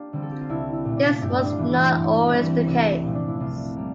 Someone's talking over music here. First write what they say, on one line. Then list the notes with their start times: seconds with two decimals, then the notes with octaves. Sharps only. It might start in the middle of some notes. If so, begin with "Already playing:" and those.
This was not always the case.
Already playing: A#3 D4 F4 G4
0.13 D3 G3 C4
0.22 A4
0.31 G4
0.41 F4
0.49 C2 E4
0.73 E4
0.85 A#2 A3
0.97 D4 F4
1.21 G2 E4 G4
1.35 E4
1.46 D4 F4
1.58 E3 A3
1.71 E4
1.95 G2
2.31 E3 G3 C4
2.67 C2
3.03 A#2 F3 A3
3.15 D4
3.28 E4
3.40 C2 D4 F4
3.76 G3 A#3